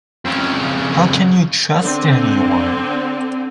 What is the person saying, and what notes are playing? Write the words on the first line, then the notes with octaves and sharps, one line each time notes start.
How can you trust anyone?
F2 C#3
D3 C4